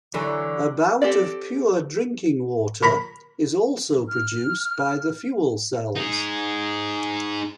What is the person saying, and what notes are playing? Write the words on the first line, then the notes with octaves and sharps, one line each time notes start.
About of pure drinking water is also produced by the fuel cells.
D3 E3 F#3
C4 G4 A4 D5
A#4 A#5 B5
F6
D#4 G#4